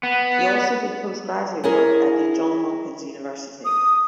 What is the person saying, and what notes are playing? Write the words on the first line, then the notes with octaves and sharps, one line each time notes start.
He also did post-graduate work at The Johns Hopkins University.
B3
C#4 E4 G#4 A#4
D#6